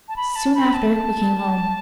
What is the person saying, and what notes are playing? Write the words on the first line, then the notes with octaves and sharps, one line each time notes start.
Soon after we came home.
A5
B5
A5
B5
A5